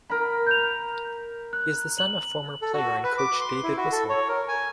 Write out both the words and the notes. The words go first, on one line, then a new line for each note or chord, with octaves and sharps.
He is the son of former player and coach David Whistle.
A#4 B5
G6 F7
F#6
F#7
A4
F#4
B4
D6
C6
E4
F#4
A4
C#5
A#4
G#5